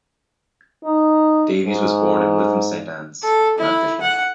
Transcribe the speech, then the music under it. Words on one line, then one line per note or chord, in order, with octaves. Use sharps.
Davies was born in Lytham Saint Annes, Lancashire.
D#4
G#2
A4
E4
F#5